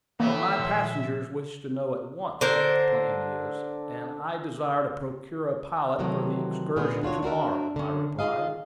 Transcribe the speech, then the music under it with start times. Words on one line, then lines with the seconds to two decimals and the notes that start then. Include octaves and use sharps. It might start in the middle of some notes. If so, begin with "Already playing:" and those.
"But my passengers wish to know at once what the plan is, and I desire to procure a pilot for the excursion to-morrow," I replied.
0.20 D#2 A2 E3 A#3 B3 E5
0.59 A#2 F3 C6
2.41 D3 A#4 C5
5.99 C3 D#3 E3 F#3 A3
6.76 A#2 G#3 B3 G#4
7.03 D4 F4 F#4 C#5
7.23 D4 F#4 A#4 E5
7.76 D3 C#4
8.19 D#4 F4 G#4 D#5 F5